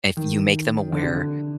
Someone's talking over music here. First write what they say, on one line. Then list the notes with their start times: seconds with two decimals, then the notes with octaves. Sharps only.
if you make them aware,
0.17 D#3
0.92 D3
1.03 C3
1.14 D3